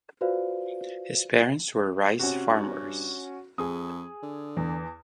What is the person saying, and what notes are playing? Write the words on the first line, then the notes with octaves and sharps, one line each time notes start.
His parents were rice farmers.
F4 F#4 B4 C5 D5 F5
C3 C#4 F#4
G2
F2 G#4 D#6
D3
E2